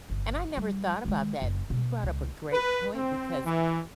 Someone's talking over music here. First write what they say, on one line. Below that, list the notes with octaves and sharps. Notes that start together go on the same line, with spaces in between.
And I never thought about that. You brought up a great point because
G1
G3
D#3 G#3
F#1
B2
C#2
B4
C4
E3